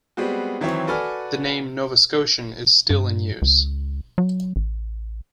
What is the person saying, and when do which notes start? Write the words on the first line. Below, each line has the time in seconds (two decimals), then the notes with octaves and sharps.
The name "Novascotian" is still in use.
0.17 G3 G#3 B3 C4 F#4
0.61 D#3 E3 F#3 C4 E4 C#5
0.88 F#4 A4 B4 D5 G#5 F6
2.90 G2
3.42 C#2
4.18 F#3
4.56 A1